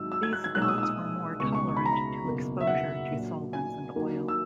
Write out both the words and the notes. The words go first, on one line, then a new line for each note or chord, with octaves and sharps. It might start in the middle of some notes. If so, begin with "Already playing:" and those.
These belts were more tolerant to exposure to solvents and oil.
Already playing: G#1 G#2 F#3 E6
E6
G#6
F#6
G#6
B1 A#2 G#3 F#6
E6
D#6
E6
D#6
C#2 B2 G#3 C#6
C#6
C#6
B5
A#5
B5
F#1 E2 B2 A#3
E5
F#5
A#1 A#2 F#3
G#5
D#2 D#3 F#3 A#3
E6